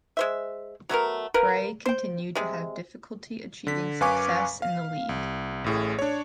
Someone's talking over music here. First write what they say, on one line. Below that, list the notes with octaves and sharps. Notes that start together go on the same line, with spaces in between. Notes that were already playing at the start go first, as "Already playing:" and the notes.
Bray continued to have difficulty achieving success in the league.
G#3 C5 E5
F#3 A3 B3 A#4
A#3 A#4 B4
C5 G5
C3 G#3
D3 B6
F#2 B4 F5 G#5 C#6 D6
F5
C2
A1 A2 G#4
D4 C#5